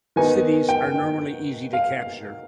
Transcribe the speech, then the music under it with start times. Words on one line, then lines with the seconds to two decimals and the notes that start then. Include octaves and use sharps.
Cities are normally easy to capture.
0.16 D#3 B3 D#4 G#5
0.69 G5
1.73 F5